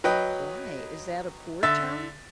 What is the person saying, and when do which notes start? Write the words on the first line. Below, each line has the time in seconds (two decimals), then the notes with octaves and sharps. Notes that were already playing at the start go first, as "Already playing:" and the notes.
"Why, is that a poor town?"
0.04 F#3 B4 D#5 G5
1.63 D3 E5 E6 A6